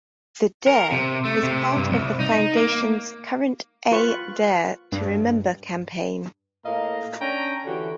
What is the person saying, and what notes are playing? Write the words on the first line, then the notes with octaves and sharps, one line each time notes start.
The "dare" is part of the foundations current A Dare to Remember campaign.
A#4
C3
A3
C3
G2
C2
D#4
A#3
F4 B4 C#6
G2
A2 A#3 D#5 F5 A#5
C#4 D4 G5 A#5
D3 E3 F#4 G4 C#5